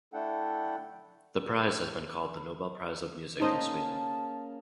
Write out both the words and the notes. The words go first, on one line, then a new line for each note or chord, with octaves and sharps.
The prize has been called the "Nobel Prize of Music" in Sweden.
A3 D4 E4 A4 F#5 G5
A#3 C#4 D#4 G#4 C5 D#5 A5